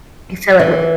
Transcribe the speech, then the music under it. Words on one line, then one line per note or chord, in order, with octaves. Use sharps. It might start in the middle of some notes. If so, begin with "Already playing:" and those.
you fill it with
E3